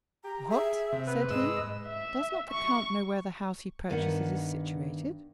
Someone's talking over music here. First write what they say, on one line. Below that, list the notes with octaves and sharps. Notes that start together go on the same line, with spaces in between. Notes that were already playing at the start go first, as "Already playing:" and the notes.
"What!" said he, "does not the count know where the house he purchases is situated?"
G4 A#5
G#4 E5
C3
B4
G#2 D#5 E6
E5
C#6
G2 D#3 B3 F#5